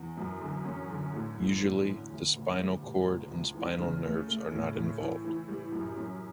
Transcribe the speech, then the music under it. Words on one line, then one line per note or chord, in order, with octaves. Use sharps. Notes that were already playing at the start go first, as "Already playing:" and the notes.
Usually the spinal cord and spinal nerves are not involved.
Already playing: E2
F#2
D3
C#4
D3
A2
A2
A2
C#4
D2
D2
G3
D2
C#2
C#2
E3
C#3
A3
A3
A2
A2
E3
E3
G3
F#2
C#4